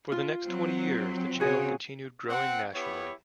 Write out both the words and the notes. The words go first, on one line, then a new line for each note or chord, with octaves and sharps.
For the next twenty years, the channel continued growing nationally.
F4
F#3 C4
C#3 C4 F#4 G#4 C#5
C4 F#5
B3 E4 G4 C#5